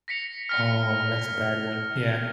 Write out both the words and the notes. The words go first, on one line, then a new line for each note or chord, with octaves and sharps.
Oh, that's a bad one, yeah.
A#6 B6 C#7 F7
F6 A#6 C#7